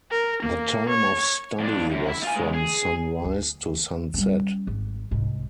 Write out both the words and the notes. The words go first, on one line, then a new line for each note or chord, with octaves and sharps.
The time of study was from sunrise to sunset.
A#4
A#3
C#5
F2 D4
F#2
E4 E5
F4 G#5
C#3 G#3
G#4
D2
G3 C#4
G#1
C2 G#2